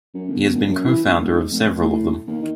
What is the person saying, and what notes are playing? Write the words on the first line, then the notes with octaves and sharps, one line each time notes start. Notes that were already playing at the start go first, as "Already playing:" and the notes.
He has been cofounder of several of them.
F#2
G1
F#1
F#2
E3
G1
D#1
G#2
F1
A2
D#2
D#3